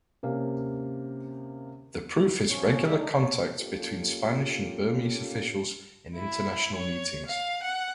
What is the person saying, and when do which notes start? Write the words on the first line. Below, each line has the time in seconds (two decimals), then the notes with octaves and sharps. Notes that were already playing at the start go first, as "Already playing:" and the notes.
The proof is regular contacts between Spanish and Burmese officials in international meetings.
0.23 C3 A#3 C#4 F5
2.27 B3
2.49 F3 C#4 C#5
2.84 A#2 C#3 G3 G#3 G4 E5
2.98 A3 D4 D#4
3.13 E2 C#5 A5
3.58 A#3 C#4 F4 G4 A4
6.16 E4
6.75 C#5
7.26 F5
7.63 F#5